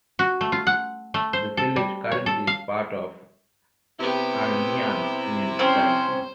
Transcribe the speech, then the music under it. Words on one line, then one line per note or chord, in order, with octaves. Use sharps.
The village currently is part of Armyansk Municipality.
F#4
A3
F4
F#5
A3
C5
A4
G3
C#5
A4
F5
C3 B3 E4 G4
C4 C#4 C5